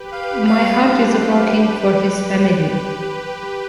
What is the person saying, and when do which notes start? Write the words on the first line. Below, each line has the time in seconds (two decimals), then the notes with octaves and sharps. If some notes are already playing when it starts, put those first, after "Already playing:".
My heart is broken for his family.
Already playing: G4 B4
0.12 F5
0.46 G4 B4 F5
0.80 D4 A4 C5
1.13 G4 B4 F5
1.48 D4 G4 B4